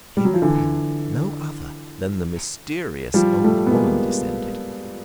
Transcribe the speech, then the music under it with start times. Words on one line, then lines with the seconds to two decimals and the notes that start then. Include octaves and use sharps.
Hereupon, no other than the mysterious old woman descended.
0.17 G3
0.25 F#3
0.34 F3
0.42 D3 E3
3.14 F3 G3
3.44 G3 A3
3.66 B3
3.74 G#3 A#3